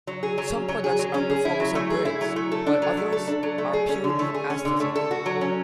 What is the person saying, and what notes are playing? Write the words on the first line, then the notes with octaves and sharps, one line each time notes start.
Some products are performance upgrades, while others are purely aesthetic.
F#3
G#4
F#3
C#4
F#3
G#4
F#3
C#4
G#4
E4
F#3
A3
G#4
E4
F#3
A3
A4
D4
F#3
A3
A4
D4
F#3
A3
G#4
C#4
D3
A3
G#4
C#4
D3
A3
A4
F#4
F#3
C#4